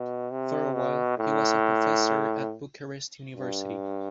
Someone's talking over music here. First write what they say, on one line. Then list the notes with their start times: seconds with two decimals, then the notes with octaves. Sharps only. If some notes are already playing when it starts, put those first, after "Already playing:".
For a while, he was a professor at Bucharest University.
Already playing: B2
0.32 C3
0.75 B2
1.18 A2
3.36 G2